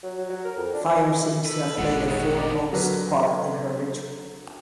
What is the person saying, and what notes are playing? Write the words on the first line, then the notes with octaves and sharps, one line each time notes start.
Fire seems to have played a foremost part in her ritual.
F#3
F#3
F#3
A#4
F2
D4
F3
D#4
E4
A4 B4
D#1 G#1 A2 G#3 D4 F4 F#5
F2 B2 D#4 G#4 C#5 F#5
D5 D#5
D3 F#3 A#4 B4